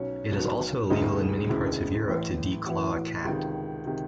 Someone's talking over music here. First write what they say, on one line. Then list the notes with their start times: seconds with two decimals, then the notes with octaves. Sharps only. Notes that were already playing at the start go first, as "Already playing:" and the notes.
It is also illegal in many parts of Europe to declaw a cat.
Already playing: B1 B2 C#4
0.32 B1 B2
0.90 E1 D2 C#3 D#4
1.49 E1 D2 C#3 E4
2.07 A1 A2 E3
2.66 A1 A2 E3 F#4
3.24 C#2 C3 D#3
3.85 C3 D#3